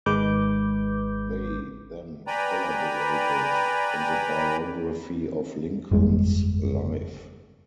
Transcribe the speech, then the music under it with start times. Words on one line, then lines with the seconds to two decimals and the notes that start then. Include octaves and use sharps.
They then collaborated on the biography of Lincoln's life.
0.06 G#1 D#3 G#3 B4 D6 G6
2.27 B4 D5 G5 G#5 A#5 B5
5.91 G1 F2 G3 G#3